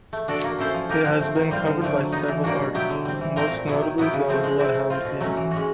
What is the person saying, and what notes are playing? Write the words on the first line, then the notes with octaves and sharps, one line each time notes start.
It has been covered by several artists, most notably the Bloodhound Gang.
A3
D4 F#4 A4 D5
A#3
C#4 E4 A4 C5
F3
A#3 D#4 G4 A#4
F3
A3 C4
D#3
G3 C4 F4
D3
F3 A3 D4
F#3
B3 D#4
E3
G3 A#3 D4 F#4
B2
F#3 B3 E4 G4
D3
G3 C4
E3
A3 C4 F4 A#4
A#2
F#3 B3 E4
D#3
F#3 B3 E4 G4
C#3
F3 A3 C4
G#3
C4 E4
A3
C4 F4
B2
F#3 A3 C#4 F#4
E3
G#3 C#4 F#4